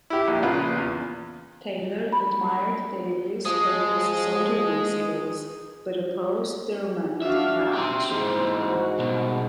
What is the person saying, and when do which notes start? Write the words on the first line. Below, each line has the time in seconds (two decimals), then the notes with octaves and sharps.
Taylor admired Davis for his soldiering skills but opposed the romantic match.
0.10 E4 G4
0.28 A#1
0.43 A#1 C#3 F4 B4
0.77 E2
2.13 B5
3.45 F3 G#3 G#4 D#6
7.22 D4 F#4 E5 F5
7.73 G4 E5 C6
8.11 G#2 E3 C4
8.56 F#4
8.99 B2 G3